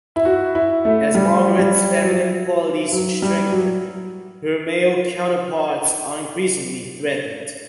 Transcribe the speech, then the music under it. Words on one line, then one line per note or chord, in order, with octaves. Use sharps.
As Margaret's feminine qualities strengthen, her male counterparts are increasingly threatened.
E4
F#4
E4
A3
G3
G3
F#3
F#3
G3
F#3